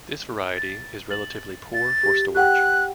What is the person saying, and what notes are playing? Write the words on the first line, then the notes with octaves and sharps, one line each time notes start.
This variety is relatively poor for storage.
A6
A6 F#7
A6
G4
G4 F#5 G5 F#6